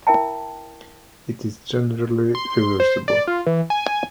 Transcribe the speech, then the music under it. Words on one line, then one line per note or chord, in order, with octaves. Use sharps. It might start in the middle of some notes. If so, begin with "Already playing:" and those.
It is generally reversible.
E4 A#4 E5 G5 A5
C6
C5
D5
F4
E3
G#5